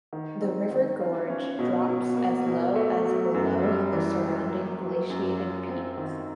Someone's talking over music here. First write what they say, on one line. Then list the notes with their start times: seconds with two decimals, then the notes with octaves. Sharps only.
The river gorge drops as low as below the surrounding glaciated peaks.
0.13 D#3
0.42 C4
0.71 D#3
1.00 F4
1.30 C#4
1.59 B2
1.88 B2
2.17 A#3
2.46 B2
2.75 A3
3.05 F#3
3.34 F#2
3.63 G3
3.93 E3
4.22 C#2
4.51 A#3
4.81 F#3
5.10 F#2
5.39 F4
5.68 C4
5.98 D#3